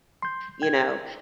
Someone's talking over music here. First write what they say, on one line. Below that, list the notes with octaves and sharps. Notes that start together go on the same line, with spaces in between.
you know?
C6 G6
G5 G#6